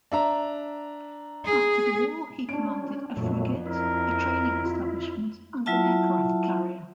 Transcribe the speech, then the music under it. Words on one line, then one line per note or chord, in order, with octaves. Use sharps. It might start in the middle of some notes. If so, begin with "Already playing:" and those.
After the War he commanded a frigate, a training establishment and an aircraft carrier.
D4 E5 A#5
G#4
C#4 D4 D7
F2 A#2 F#3 A3
E4 A#4
F4
F#3 E4 F4 E5 A5